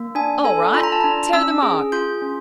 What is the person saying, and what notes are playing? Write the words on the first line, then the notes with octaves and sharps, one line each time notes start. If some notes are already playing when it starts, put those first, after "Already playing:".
"All right, toe the mark!"
Already playing: A#3
D4 G#5
A4 G#5
F4 B5
A#5
A5
D4 A#5
C#4 E6
G#4
F4 G6
C#4